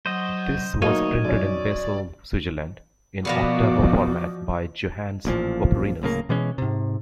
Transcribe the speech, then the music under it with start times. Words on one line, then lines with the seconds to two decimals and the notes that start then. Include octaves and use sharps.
This was printed in Basel, Switzerland in octavo format by Johannes Oporinus.
0.06 F#3 C5 D#5
0.82 D2 F#3 A#3 D#4 C#5 D#5
1.25 F#2 C#4 D5
3.25 B2 F3 A#3 B3 F#4 D5 D#5
5.25 A1 A#2 D3 F3
6.02 D1 A2 C#3 A#3
6.29 B2 E3 G#3 C#4
6.58 G#2 C3